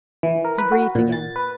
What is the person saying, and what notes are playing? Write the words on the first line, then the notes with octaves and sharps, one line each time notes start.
He breathed again.
E3
A#4
B4
F#4
A#2
A6
B4